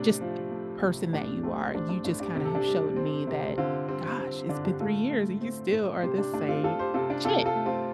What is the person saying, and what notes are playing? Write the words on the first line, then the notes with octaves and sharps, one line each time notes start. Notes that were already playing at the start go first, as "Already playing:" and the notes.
just the person that you are, you just kinda have showed me that, "Gosh, it's been three years, and you still are the same chick."
Already playing: A2 C3 D4
F3
A3
C3
A2 D4
A3 C4
C4 D4
D4
A2 D4
D4 G4
C3 G4
A4
D4 G4
G3
C4
C3
D3 C4 F4
G3 C4
C4
C4
D3 D4
D4 G4
A2 F4 A4
A3
C4
A2
C3 G4 C5
D4
A3 D4
C4 F4
C4 F4 A4
G4 C5
C3 F4 A4
D4 G4
C3 F4 A4
F4 A4
A3
C4 F4